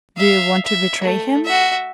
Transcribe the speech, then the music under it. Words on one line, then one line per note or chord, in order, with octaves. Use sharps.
Do you want to betray him?
E5 F5
E5
A3
F#4 E5